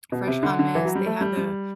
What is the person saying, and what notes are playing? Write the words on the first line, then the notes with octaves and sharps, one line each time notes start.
Fresh hummus, they have the
B2
C3
D3
D3
E3
F#3
G3
A3
G3
G3